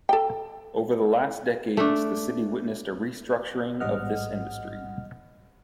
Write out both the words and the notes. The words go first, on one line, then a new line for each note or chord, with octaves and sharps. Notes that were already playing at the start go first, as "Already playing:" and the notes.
Over the last decades the city witnessed a restructuring of this industry.
A4 G5
A3 D4
A1 G#2 G3 D#5 F#5 F6